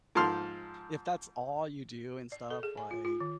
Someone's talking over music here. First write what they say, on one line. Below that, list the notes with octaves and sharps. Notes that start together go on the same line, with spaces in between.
if that's all you do and stuff, like,
G#2 F3 A4 C6 F6
D5
A4
G#4
G#5
F4
F4
D#3